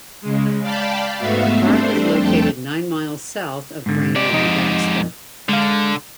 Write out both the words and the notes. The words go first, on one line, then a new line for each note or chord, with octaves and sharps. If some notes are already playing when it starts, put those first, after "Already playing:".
The park is located nine miles south of Brainerd and Baxter.
C#3 G#3
D5 F5 G5 A5 B5
G#2 A3 B3 F#4 E5 F5
G3 A3 C4 D4 C5
F2 A3 G5 A5
G#2 D3
G#2 G4 D5
F2 D#4 D#5
D3 G#3 F5